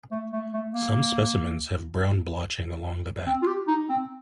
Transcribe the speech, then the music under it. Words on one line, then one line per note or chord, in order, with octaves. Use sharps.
Some specimens have brown blotching along the back.
A3
A3
A3
A#3
C4
F4
G4
D#4
C4